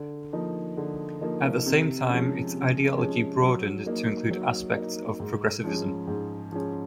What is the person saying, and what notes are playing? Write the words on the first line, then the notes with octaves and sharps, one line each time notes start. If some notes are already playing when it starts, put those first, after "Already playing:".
At the same time, its ideology broadened to include aspects of progressivism.
Already playing: D3
F3 A#3 D#4
D3
F3 A#3 D#4
C3
F3 G#3 C#4
C3
F3 G#3 C#4
F#3
A#3 D#4
F#3
A#3 D#4
G#2
F3 G#3 C#4
G#2
F3 G#3 C#4